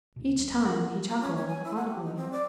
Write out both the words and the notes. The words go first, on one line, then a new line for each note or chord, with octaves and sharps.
Each time he chuckled audibly.
C#2 B2
D#2 F#3 B3
C4 A#4 F#5
F4
C#4
C#5
G#5
E4
F#5
G4
D#4
C4
D5